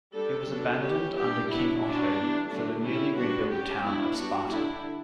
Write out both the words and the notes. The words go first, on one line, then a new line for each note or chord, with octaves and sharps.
It was abandoned under King Otto for the newly rebuilt town of Sparta.
G3 D4 A4
F#3 B3 D4
G3 C#4 G4
E3 G3 D4 G4
F#3 B3 D4 E4
F#3 C#4 D4
E3 G3 B3
D3 F#3 A3 D4
G3 C#4 E4
G3 B3 D4 F#4
G3 C#4 G4
F#3 B3 D4 E4
G3 B3 D4 F#4
D3 G3 D4 E4